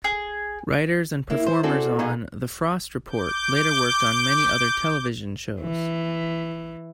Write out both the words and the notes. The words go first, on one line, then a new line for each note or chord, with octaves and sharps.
Writers and performers on "The Frost Report" later worked on many other television shows.
G#4
A#3 E4
C5
C4 F#4 G#4 A4 D5
B2 D#4 G#4 F5
D6 G6
E3